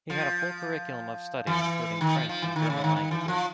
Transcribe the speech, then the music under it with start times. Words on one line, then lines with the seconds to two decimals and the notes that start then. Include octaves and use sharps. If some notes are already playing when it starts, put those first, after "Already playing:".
He had a full curriculum of study, including French and German languages.
0.10 F3
1.47 E3
2.01 D#3
2.15 F3
2.29 F3
2.42 E3
2.56 D#3
2.70 C#3
2.84 D#3
2.96 D#3
3.11 E3
3.28 F3